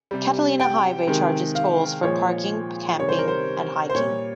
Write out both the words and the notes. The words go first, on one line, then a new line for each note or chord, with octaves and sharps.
Catalina Highway charges tolls for parking, camping, and hiking.
C3 G3
G5
C3 D#3 G#3
F5
A#2 F3 G#3 C#5
C3 D#3 G3 C#5
C5
A#4
C5
C5
A#2 G3 C#5